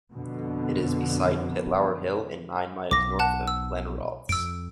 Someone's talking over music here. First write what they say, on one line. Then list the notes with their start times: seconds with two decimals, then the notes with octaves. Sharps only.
It is beside Pitlour Hill and nine miles north of Glenrothes.
0.13 F2 B2 D3
2.91 B1 D6 A#6
3.19 F#5 A5 F#6
3.48 E6
4.29 F2 E6 D7